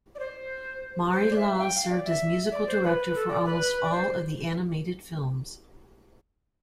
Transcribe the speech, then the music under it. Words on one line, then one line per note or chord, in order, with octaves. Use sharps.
Maury Laws served as musical director for almost all of the animated films.
D5
C5
C5
D5
E5
F5
G5
F5
D5
E5
D5
C5
B4
B4
A4
D5
B4
D5
C5